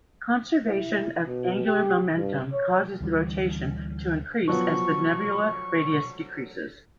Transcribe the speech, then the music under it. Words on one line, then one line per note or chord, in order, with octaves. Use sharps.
Conservation of angular momentum causes the rotation to increase as the nebula radius decreases.
E4
B2
G4
G2
C#5
D2 E3 G3
F3 F#3 B3 C#6